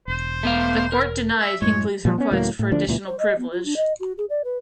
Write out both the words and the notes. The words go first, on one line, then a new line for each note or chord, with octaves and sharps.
The court denied Hinckley's request for additional privileges.
E1 C5
A3 B3 F5
A#4
E5
F#2 A2 G#3 C#5
A#2 F3 G3
B3 C#4
C#2 A2 F#3 A#3
A2
D2 D3 F3 D4
C#2 A#2 E3
C5
D#5
B3
F4
D4
D#5
F#4
G#4
D5
B4